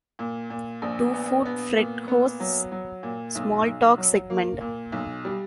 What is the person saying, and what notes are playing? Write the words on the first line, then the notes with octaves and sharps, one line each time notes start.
Two Foot Fred hosts "Small Talk" segment.
A#2
A#2
A#1
B3
B3
A#2
B3
F#3
F#3
A#2
B1
B1
F#3
A#3
A#2
B1
G3